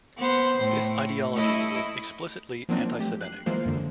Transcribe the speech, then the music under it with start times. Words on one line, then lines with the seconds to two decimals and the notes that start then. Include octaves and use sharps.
This ideology was explicitly antisemitic.
0.17 B3 C5
0.58 A2
1.34 A3 E4 D#5
2.69 F3 F#3 A#3 C4 D4 D#4
2.99 A3 G4
3.21 F#6 C7
3.46 E3 F3 G#3 A#3 F4 C5
3.66 F#2 D3